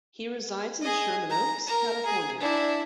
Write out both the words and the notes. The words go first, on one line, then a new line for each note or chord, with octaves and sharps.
He resides in Sherman Oaks, California.
G#4 D#5
A#5
A#4 A#5
G#4
D4 E4